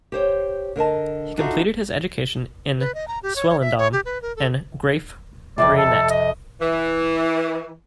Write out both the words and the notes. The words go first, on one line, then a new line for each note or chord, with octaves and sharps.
He completed his education in Swellendam and Graaff-Reinet.
G4 C5 C#5
D3 A#4 D#5 A5
D4 D#4 F4 F#4 A4 E5
B4
D#5
A#5
G4
C#5
C#5
E5
C#5
G4
B4
A#4
A4
F2 G#2 C3 D5
A4
D#5
E3